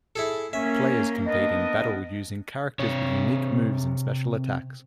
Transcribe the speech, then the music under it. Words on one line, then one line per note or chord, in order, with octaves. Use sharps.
Players compete in battle using characters with unique moves and special attacks.
E4 G#4 A4
A#3 C#4 E5
B3 D4 A#4 D#5
C3 C#5